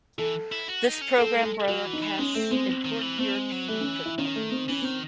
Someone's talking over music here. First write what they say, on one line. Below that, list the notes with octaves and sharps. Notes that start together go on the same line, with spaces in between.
This program broadcasts important European football games.
E3 A4
E4
F#4
D#4
C#4
C4 A4
G#3
A4
F#3 F#4
E3
D#4
E3
G#3 C#4
A3 C4
G#3 C4
C4
D#3
E3
A3 C4
G#3
F#3
E3 A3
C#4
E4
D#3 C#4
A3
C4
E3 C#4
D#3 C4